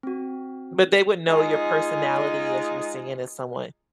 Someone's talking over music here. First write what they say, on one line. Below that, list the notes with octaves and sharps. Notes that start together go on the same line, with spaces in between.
But they would know your personality as you're saying, as someone
C4 F#4
G#3 D#4 F4 G#4